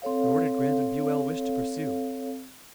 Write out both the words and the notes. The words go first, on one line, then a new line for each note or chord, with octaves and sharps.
Nor did Grant and Buell wish to pursue.
C4 A4 C#5 F5